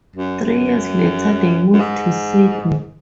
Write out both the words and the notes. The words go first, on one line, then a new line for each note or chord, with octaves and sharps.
Three years later they moved to Sydney.
F#2
F#2
F#2
G#2